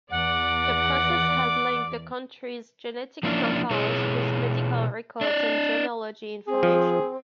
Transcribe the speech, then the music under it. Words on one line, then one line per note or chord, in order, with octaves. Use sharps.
The process has linked the country's genetics profiles with medical records and genealogy information.
E2 D5 F#5 D6
F3 A#3 C#4 D4 E4
B2 E4 G#4 C#5
D4 D5 D#5
C4 G#4
F3